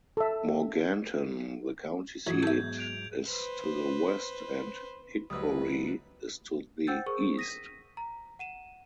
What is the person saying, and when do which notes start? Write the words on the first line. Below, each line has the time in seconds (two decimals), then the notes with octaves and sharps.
Morganton, the county seat, is to the west, and Hickory is to the east.
0.17 A4 E5
2.27 A1 G#2 F#3 F#4 G#6
2.43 B3 A4 E5 G6
2.78 D7 F7
3.30 B4 C5
5.30 D2 F#3 G3 B4 D#5 D#6 E6
6.87 C5 F#5 G5 E6 G6 A6
7.06 G#4 A#4 C5 C#6
7.38 D#6 A#6 B6 D#7
7.97 A#5
8.39 F#5 D#7 E7